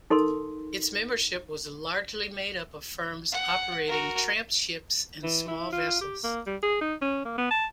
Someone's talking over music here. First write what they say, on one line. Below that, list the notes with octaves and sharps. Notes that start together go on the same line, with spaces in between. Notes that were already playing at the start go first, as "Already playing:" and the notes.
Its membership was largely made up of firms operating trampships and small vessels.
D#4 A4 A#4 C6
F#5
F#4 A#4
E3
E4
F4
G4
A#3
G3
G#4
D#4
C#4
A#3
B3
A5